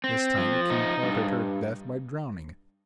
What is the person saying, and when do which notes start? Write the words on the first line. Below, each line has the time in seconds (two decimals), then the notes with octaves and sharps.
This time the king plotted her death by drowning.
0.04 C4
0.38 F3
0.70 D#4
1.03 G2